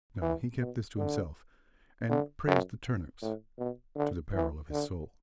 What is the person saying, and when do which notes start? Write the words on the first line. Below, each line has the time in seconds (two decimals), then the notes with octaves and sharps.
No, he kept this to himself, and praised the turnips to the peril of his soul.
0.22 E3
0.59 B2
0.97 D3
2.10 D3
2.47 F#2
3.22 A2
3.58 B2
3.96 D3
4.34 E3
4.71 D3